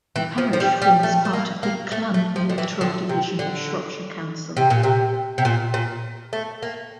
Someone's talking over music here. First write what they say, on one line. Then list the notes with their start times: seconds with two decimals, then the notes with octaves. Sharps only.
The parish forms part of the Clun electoral division of Shropshire Council.
0.16 E3
0.38 F3
0.53 F3
0.60 G3
0.82 G3
1.03 A3
1.25 A3
1.33 A#3
1.63 A#3
1.92 A3
2.14 A3
2.36 F3
2.50 D3
2.58 E3
2.81 D3
3.09 C3
3.39 D3
4.57 C3
4.70 A#2
4.83 C3
5.38 C3
5.45 A#2
5.74 A#2
6.33 A3
6.63 A#3